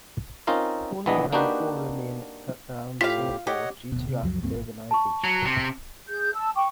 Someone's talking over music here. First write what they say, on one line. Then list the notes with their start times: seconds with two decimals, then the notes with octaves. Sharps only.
Only a handful remain around Singapore due to rapid urbanisation.
0.47 C4 C#4 D#4 F4 A#4 F5
1.06 A#1 E3 B3 D4 D#5
1.33 A#3 D4 D#4 F#4 G4 B4
3.01 A2 F4 G4 F5 B6
3.47 G4 C#5 D#5 F#5
3.92 D1 B2
4.09 C3
4.23 C#2 F#2 F3 F#3
4.42 C#2 G2 A#3 C4
4.54 G#1
4.91 A5 C#6
5.24 F#3
5.45 C3
6.09 G#4 G6
6.34 A5 E6
6.55 G5 C#6 D6